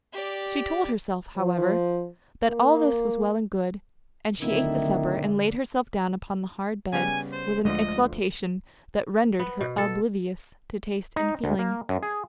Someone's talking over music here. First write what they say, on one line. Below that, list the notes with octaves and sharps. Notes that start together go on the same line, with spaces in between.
She told herself, however, that all this was well and good; and she ate the supper and laid herself down upon the hard bed with an exaltation that rendered her oblivious to taste and feeling.
G4 D5
F3
A#3
D1 D3 D#3 E4 E5
C#3 G3 B3 G#5
C5
D2 D3 F3 G#3 A3 D#5
B3
B2
A4
D#4
D2
A#3
F#2
G#4